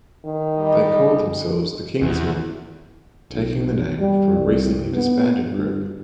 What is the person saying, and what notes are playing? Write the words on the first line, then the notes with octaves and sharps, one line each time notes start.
They called themselves the Kingsmen, taking the name from a recently disbanded group.
D#3
E2 G3 D#5
E2
B1
G3
C2
B3
G2